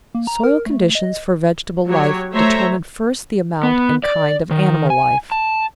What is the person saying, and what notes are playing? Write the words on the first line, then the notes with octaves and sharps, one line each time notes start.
Soil conditions for vegetable life determine first the amount and kind of animal life.
A#3
A#5
A#4
A3
D#5
F#3 G4 C#5
A3 C5 C#5 E5 A#5
B3
D5
D#3
G#5
A5